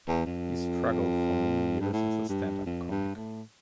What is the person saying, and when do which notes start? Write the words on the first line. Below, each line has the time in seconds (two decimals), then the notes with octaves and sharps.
He struggled for many years as a stand-up comic.
0.08 E2
0.26 F2
1.81 G2
1.93 A2
2.29 G2
2.66 F2
2.91 G2
3.16 A2